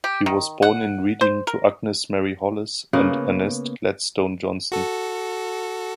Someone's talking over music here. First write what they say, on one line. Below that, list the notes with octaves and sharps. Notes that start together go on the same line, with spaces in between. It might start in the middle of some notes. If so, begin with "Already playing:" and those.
He was born in Reading to Agnes Mary Hollis and Ernest Gladstone Johnson.
G4
D#3
F#5
C5
A#4
C#3 A#3 B3
F#4 A4